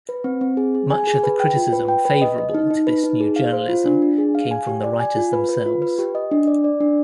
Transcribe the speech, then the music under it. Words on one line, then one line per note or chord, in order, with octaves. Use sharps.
Much of the criticism favorable to this New Journalism came from the writers themselves.
B4
C4
C4
G#4
G#4
G#5
G#4
B4
G5
F4
B4
G5
B4
D#5
D#5
D#4
D#4
B4
D#4
G#4
F5
C5
F4
D4
D4
G#4
F5
G#5
G4
D5
G#5
F4
B4
B4
F4
B4
G4
D#5
D4
D5
D5
D4